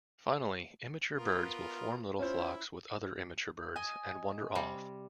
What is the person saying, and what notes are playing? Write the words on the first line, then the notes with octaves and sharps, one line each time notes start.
Finally, immature birds will form little flocks with other immature birds and wander off.
B3 F4 A#4
C#4 E4 F4 C5
D#5 G#5
C3 G3